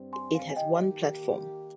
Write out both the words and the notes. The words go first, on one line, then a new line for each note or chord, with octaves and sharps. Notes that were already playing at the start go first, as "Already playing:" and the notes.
It has One platform.
Already playing: G2 G3 C4
G#5 C6
F5 G#5
G#5
D#3 A#3 D#4 G4 D#5 G5